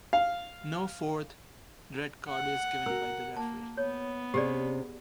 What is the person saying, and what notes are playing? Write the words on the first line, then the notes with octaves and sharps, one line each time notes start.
No fourth red card is given by the referee.
F5
F#5
F#4 A#4 E6
A#3 A5
B3 C#5
C3 C#4 G4 G#4 D5